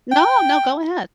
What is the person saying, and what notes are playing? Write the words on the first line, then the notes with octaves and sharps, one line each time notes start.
No, no, go ahead.
G5